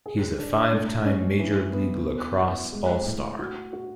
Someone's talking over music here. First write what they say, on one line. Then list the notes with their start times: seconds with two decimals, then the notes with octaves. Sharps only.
He is a five-time Major League Lacrosse All-Star.
0.06 G#4
0.39 D4
0.73 A3
1.05 C#4
1.39 E3
1.73 B3
2.06 E2
2.39 E2
2.72 G#3
3.06 A2
3.39 F#4
3.73 F#4